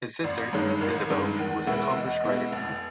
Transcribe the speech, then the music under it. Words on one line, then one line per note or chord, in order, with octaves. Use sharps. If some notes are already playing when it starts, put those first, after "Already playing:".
His sister, Isabel, was an accomplished writer.
A1 D5
G2 D#3 G#3 C#5
A1 A#4
G2 D#3 G#3
E2 A#4
B2 G#3 B3 E4 A#4
E5
E2 D#5 E5
B2 G#3 B3 E4
F1